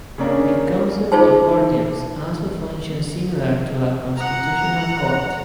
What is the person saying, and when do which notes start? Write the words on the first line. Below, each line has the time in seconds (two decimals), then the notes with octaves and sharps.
The Council of Guardians also functions similar to a constitutional court.
0.18 C#3 A#3 C#4 D4 A#4
1.12 D#4 F4 G#4 C5 A5
4.17 F#5 A#5